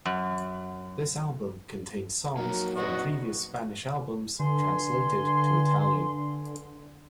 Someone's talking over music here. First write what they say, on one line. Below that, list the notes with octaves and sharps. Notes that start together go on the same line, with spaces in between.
This album contains songs from previous Spanish albums translated to Italian.
F#2
F#3 A#3 D#4 F#4 A#4
E2 A#2 D#3 C4 D#5 F#5 C#6
G2 D3 G#5 C6